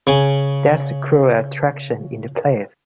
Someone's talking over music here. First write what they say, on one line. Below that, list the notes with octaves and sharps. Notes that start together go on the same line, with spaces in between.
There's a cruel attraction in the place.
C#3 G#5